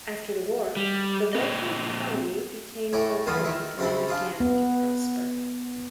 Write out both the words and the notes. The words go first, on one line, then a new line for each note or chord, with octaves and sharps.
After the war, the local economy became more varied and began to prosper.
G3
A#2 C4 D#5
A2 A3 C#5 G#5 D6
G2 E3 B3 F4 G#5 D#6
D#3 E5
F#2 C#3 C4 D4 E4
D4 F4 G#4
B3